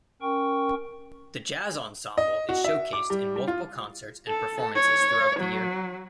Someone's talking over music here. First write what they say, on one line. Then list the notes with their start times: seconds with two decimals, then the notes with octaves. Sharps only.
The jazz ensemble is showcased in multiple concerts and performances throughout the year.
0.22 C#4 A#4 G5 C#6
2.18 D#5
2.49 F#4
2.64 E5
2.93 D6
3.10 G3
3.36 G3
3.48 F4
4.28 A4
4.76 C#5
5.39 F#3